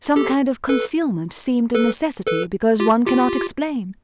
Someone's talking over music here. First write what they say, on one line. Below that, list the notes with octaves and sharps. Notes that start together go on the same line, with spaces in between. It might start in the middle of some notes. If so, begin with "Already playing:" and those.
Some kind of concealment seemed a necessity because one cannot explain.
G4 A4
A4 B4
A4 B4
A4 B4
F4 G4
F4 G4